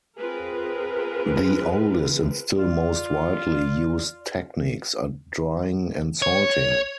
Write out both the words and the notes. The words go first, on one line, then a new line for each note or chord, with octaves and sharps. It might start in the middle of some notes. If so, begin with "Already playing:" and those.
The oldest and still most widely used techniques are drying and salting.
C4 F4 G#4 A#4 B4
F4 D5
C#5